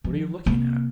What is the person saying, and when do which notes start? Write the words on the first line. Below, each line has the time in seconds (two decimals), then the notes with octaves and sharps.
"What are you looking at?"
0.04 F3
0.46 C3 A#3